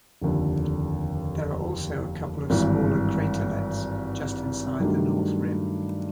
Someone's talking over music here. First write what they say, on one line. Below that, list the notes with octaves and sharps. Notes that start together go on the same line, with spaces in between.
There are also a couple of smaller craterlets just inside the north rim.
F1 D#2 D3
G#1 G2 E3
G2 D#3 F#3 A3 D4